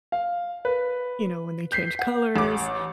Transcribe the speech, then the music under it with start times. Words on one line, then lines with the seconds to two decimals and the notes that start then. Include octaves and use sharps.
you know, when they change colors
0.12 F5
0.65 B4
1.72 G6 B6 C7
1.99 F#5
2.36 A1 D6